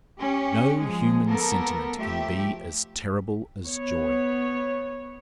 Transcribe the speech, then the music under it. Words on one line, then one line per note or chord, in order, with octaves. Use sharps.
No human sentiment can be as terrible as joy.
C#4 G4
F3 G#3 G#4
A#3 B3 A4 A#4
F3 A3 G4 E5
B3 C#5